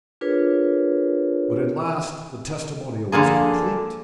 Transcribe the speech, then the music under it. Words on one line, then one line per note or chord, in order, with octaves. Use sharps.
But at last the "testimonial" was complete.
D4 F4 G#4 A#4 B4 C#5
D3 F3 A#3 G#4